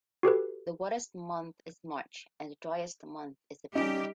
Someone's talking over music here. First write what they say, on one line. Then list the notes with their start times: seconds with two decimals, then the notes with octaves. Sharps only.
The wettest month is March and the driest month is September.
0.23 F#4 G4 A4 B4
3.75 G3 C#4 D#4 G4